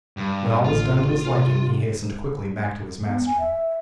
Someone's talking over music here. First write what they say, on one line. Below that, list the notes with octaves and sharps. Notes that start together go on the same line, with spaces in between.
When all was done to his liking he hastened quickly back to his master.
G2
A1 F4
C3
B3
G#5
E5